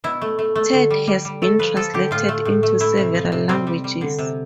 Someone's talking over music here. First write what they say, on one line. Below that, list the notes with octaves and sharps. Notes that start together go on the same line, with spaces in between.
Ted has been translated into several languages.
B2 E4
A3
A3
A3
D3
G3
G3
G3
A3 A4
F3 B4
F3 A4
D3 G4
A2 F4
A3
A2
A3
A3 E4
C3
F3
C3
G3 C4
G3
G3
D3
C3